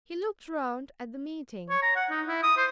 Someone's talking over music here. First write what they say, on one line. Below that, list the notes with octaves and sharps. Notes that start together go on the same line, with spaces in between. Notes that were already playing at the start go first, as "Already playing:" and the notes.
He looked round at the meeting.
C#5
A#5
F#5
D#4
E4
D#6
C5